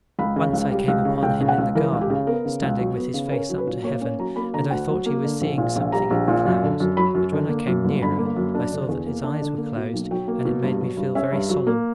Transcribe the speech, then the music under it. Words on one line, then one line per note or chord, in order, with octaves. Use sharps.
Once I came upon him in the garden, standing with his face up to heaven, and I thought he was seeing something in the clouds; but when I came nearer, I saw that his eyes were closed, and it made me feel very solemn.
C#2 B5
C#3
C#2
G3
C#2
C#3
C#2 G5
C#3
F#5
C#2
E3 A#4
C#2
G4
C#3
B3 A#4
C#3
C#2
F#3
B3
C#3
B4
C#4 A#4
F#3
B4
A#2
A#3 C#5
C#4 C#5
F#3 A#5
A#3 B5
D3 A#5
D2 F#5
F#3
A#3
D3
A#1
A#2
A#1
G3 A#5
A#1
A#2
F#2
D3
F#2
F#3 B5
F#2
D3
A#3
F#2
G1
D3 B5
A#3
F#2
D4
D3
E2
A#3
D4
D3
A#3
B2
B1
F#3 G5
A#3
B2
G2
F#3
G2
C#4 E5
G2
F#3
A#3